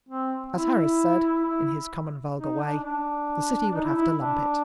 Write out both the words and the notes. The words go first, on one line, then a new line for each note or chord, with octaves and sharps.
As Harris said, in his common, vulgar way, the City would have to lump it.
C4
E4
E4
D#4
D4
D4
D#4
E4
E4
D4